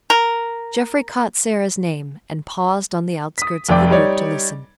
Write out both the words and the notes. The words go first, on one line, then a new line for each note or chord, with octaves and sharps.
Jeffrey caught Sara's name and paused on the outskirts of the group to listen.
A#4
D#6 B6
F1 F2 D5 G5 D6
G3 D#4 C#5 D5